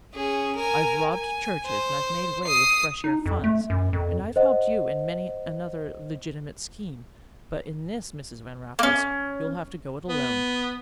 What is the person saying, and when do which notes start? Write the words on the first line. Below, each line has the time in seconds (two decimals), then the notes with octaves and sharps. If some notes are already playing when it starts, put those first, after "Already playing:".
"I've robbed churches and I've made way with fresh-air funds, and I've helped you in many another legitimate scheme, but in this, Mrs. Van Raffles, you'll have to go it alone."
0.14 C#4 G#4
0.56 A#4 G#5
1.14 G#5
1.66 C5
2.45 D#6 C7
3.04 D#4
3.26 F2
3.44 A3
3.70 F#2
3.93 F2
4.36 C5 D#5 F#5
8.79 A#3 C#4
10.08 B3